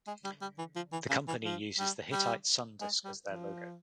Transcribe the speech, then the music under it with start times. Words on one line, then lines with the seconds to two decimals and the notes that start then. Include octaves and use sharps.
The company uses the Hittite sun disk as their logo.
0.07 G#3
0.25 G3
0.42 G3
0.59 E3
0.76 F3
0.93 E3
1.10 C#3
1.28 E3
1.45 F3
1.79 G3
2.12 G3
2.81 G#3
3.05 G3
3.27 F3